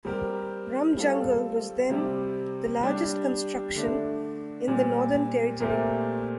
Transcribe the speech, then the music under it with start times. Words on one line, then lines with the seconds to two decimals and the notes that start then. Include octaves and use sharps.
Rum Jungle was then the largest construction in the Northern Territory.
0.05 G3 C4 G4 A#4
0.97 G3 C4 F4 A4
1.90 C3 G3 C4 G4
2.83 G3 D4 G4
3.75 D3 A3 D4
4.68 A#2 G3 C4
5.60 A#2 A3 C4 G4 A#4